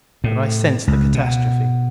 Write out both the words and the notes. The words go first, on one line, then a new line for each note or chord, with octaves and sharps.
But I sensed the catastrophe.
A2
C#2
B2